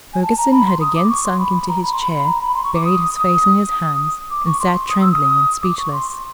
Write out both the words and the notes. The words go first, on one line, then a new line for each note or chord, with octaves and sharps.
Ferguson had again sunk into his chair, buried his face in his hands, and sat trembling and speechless.
G#5
A5
A#5
B5
C6
D#6
D6
C#6
C6
B5
B5
A#5
B5
C6
B5
A#5
B5
C6
C#6
D6
D#6
D#6
D6
C#6
C6
D#6
E6
D#6
D6
C#6
C6